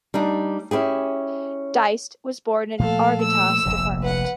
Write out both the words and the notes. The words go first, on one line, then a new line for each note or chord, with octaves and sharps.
Dieste was born in Artigas department.
G3 D4 D#4
C#4 E4 G4 G#4
A#2 F3 A3 A4 F5
E6
F1 A#1 C3
B4 F#5